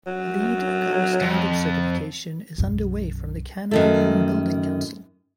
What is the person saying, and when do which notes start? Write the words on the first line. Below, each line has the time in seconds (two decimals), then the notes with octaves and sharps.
Leed Gold Standard certification is underway from the Canada Green Building Council.
0.06 F#3
1.22 F2
2.58 B1 F#2
3.71 F#2 D#3 A3